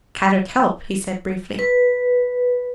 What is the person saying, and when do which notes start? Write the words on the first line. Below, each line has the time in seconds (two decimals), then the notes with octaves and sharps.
"Kadok help," he said briefly.
1.59 B4